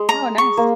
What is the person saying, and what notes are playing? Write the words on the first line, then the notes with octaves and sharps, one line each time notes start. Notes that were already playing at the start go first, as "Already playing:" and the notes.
Oh, nice.
Already playing: G#3
A#5
C#6
A#3